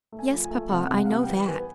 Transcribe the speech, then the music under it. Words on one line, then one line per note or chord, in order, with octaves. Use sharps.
"Yes, papa, I know that."
A3
G#5
F3
G#5
A3
C3 F#5
C3
F#5
F5
G3 F#5
G5
E3
B3 G#5